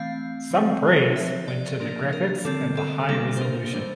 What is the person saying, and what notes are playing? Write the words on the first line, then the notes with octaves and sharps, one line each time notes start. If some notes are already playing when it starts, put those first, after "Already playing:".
Some praise went to the graphics and the high resolution.
Already playing: E3 A3 C4 F5
E3 A3 C4
F3 C4 E5
D5
F3 A#3 D4 A#4
A#4
D3 G3 C4 A4
A4
G3 A#3 D4 A4
C5
A#4
E3 G3 D4 C5